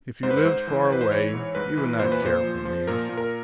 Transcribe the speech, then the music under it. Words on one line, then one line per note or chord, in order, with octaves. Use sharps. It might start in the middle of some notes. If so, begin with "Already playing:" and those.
If you lived far away you would not care for me.
G#2 C5
B4
C5
G#2
E3
E3 B4
C5
E3 C#5
G#2
G#2 B4
E3
A#2 C5
B4
A#2 C5
F3
F3
A#2 A#4
A#2
A#4